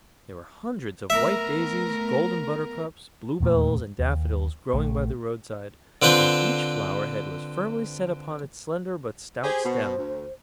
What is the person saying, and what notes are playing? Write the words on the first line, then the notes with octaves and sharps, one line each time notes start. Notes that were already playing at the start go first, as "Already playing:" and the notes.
There were hundreds of white daisies, golden buttercups, bluebells and daffodils growing by the roadside, and each flower-head was firmly set upon its slender but stout stem.
A3 B3 A#4 E5
D#1 E2 A#2 A3
D#2
A#1 A3
D3 C4 F4 B4 C5
G4 G#4 C5
B2
D2